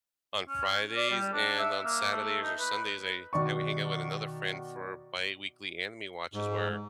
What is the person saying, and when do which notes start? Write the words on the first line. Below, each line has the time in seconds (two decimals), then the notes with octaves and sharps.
on Fridays, and on Saturdays, or Sundays, I ha we hang out with another friend for biweekly anime watches where
0.48 C#4
0.96 D5
1.11 G3
1.33 D4
1.59 E5
1.85 A#3
2.12 A3
2.42 D#4
2.59 B4
3.33 B2 D#3 D5 C#6
6.34 G#2